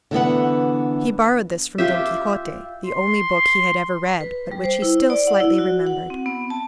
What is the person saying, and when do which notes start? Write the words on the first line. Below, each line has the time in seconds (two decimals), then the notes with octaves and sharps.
He borrowed this from "Don Quixote," the only book he had ever read, but which he still slightly remembered.
0.11 D3 E3 B3 F#5
1.78 F4 G4 E5
2.86 C6
4.21 B4
4.51 G3
4.64 C5
4.82 E4
5.10 D5
5.27 F#5
5.40 E4
5.58 F#4
5.87 F#5
6.10 C4
6.26 B3
6.50 A5